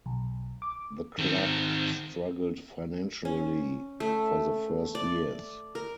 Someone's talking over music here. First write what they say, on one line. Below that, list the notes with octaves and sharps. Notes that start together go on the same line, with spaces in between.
The club struggled financially for the first years.
B1
D6
D#3 C4
C#4
A3
D5
A#4